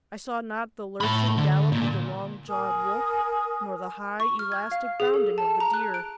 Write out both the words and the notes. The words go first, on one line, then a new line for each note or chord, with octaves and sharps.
I saw not the lurching gallop of the long-jawed wolf, nor the high, elastic bounding of the deer.
A2 B5
D3
A#2
A#4 G#5 D#6
C#6
F6
G#6
F5
G#4
A4
A5
A#5
F#6
D7